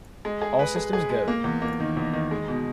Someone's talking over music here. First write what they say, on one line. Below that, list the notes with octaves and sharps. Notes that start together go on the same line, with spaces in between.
All Systems Go!
G#3
G#4
B4
G#4
G#4
G#3
A#3
E2
A#3
D#3
E2
D#3
G#3
B2